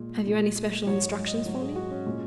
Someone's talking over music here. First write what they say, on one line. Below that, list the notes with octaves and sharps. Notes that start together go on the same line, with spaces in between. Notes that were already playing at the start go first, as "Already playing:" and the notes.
"Have you any special instructions for me?"
Already playing: A#2 G#3
A#2 G#3
G#2 F#3 C#5
C#5
D#5
G#2 F#3 C#5
G#4
F#4
C#4
A#2 G#3 C#4